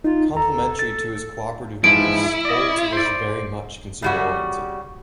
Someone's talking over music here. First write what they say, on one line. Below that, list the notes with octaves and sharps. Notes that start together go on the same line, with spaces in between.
Complementary to his cooperative beliefs, Olds was "very much consumer oriented".
D#4 F4
D#2 A4 A#5
A6
G#2 E3 F3 E4 D7
D5 D#5
C5 D5
C#3 G3 F#4